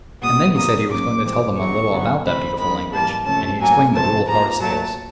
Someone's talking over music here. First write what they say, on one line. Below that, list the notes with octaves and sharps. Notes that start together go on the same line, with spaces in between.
And then he said he was going to tell them a little about that beautiful language, and he explained the rule of participles.
A#2 G3 B3 D#6
B2 G3 A#3 D#6
A2 F#3 A#3 C#4 D6
G2 E3 G#3 C4
E2 C#3 F#3 C#6
F#2 D3 F#3 B3
C3 E3 A3 C4 B5
F#2 D#3 G#3 B5
G#2 E3 G3 A#3 A5
C3 F3 A3 C#4 A5
A2 F#3 A#3 G#5
C3 F3 A3 C4 A5
G#2 F3 A#3 A#5
A#2 F#3 A3 A5